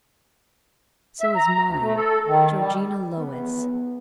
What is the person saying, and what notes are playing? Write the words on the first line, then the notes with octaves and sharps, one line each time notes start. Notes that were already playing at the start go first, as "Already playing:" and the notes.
'So is mine, Georgina Lois.
E5
A#5
D2
A3
A4
D#3
G3
B3